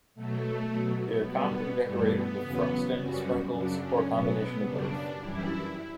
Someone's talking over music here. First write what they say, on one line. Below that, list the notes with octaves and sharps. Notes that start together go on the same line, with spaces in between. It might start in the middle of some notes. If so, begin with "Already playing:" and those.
They are commonly decorated with frosting, sprinkles, or a combination of both.
B2 F#3 A3
B2 F#3
B3
B2 G3 B3
G2 E3 G3 A3
B3
E2 C#3 F#3
F#2 C#3 G3 F#4
F#2 C#3 F#3 D4
C#4
B2 F#3 B3
B3
F#2 C#3 G3 D4
F#2 E3 G3 E4